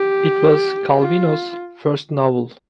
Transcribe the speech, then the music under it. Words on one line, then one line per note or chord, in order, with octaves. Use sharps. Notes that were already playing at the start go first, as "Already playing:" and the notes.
It was Calvino's first novel.
Already playing: G4
F4